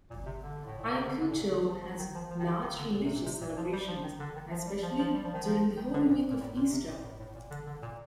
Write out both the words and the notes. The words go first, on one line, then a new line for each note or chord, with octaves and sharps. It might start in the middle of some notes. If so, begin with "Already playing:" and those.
Ayacucho has large religious celebrations, especially during the Holy Week of Easter.
A#2
C3
D3
A2
A#2
C3
D3
D3
A#2
C3
D3
F3
F3
D#3
F3
F3
D#3
F3
D#3
D3
A#2
C3
A#2
C3
A#2
F3
G3
F3
D#3
D3
D#3
F3
G3
F3
F3
G3
F3
D#3
F3
D#3
D3
A#2
A#2
A2
A#2
C3
A#2
A2
A2
A#2
D3
D3
A#2